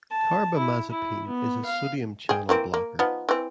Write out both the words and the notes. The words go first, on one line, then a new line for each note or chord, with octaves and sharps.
Carbamazepine is a sodium channel blocker.
A5
E4
E4
B3
F5
G#4 G5
E3 A#3 C4
A#3
F3 B3 D#4
E3 C4